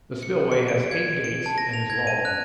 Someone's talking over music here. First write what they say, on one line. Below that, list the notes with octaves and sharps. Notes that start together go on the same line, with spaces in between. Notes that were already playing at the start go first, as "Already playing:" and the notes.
The spillway has eight gates and is long.
C#7
C#7
D7
G#6
D7
A5
A#6
F7
G#6
D#7
F#6